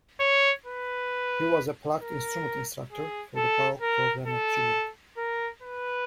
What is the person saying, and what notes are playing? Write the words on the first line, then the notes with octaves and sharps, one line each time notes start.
He was a plucked instrument instructor for the Baroque program at Juilliard.
C#5
B4
A#4
G#4
A4
A#4
A4
A#4
B4